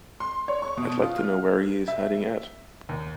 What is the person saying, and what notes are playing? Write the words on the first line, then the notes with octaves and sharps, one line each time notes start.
I'd like to know where he is heading at.
C6
C#5
C#6
B2
F4
F6
E5
D#2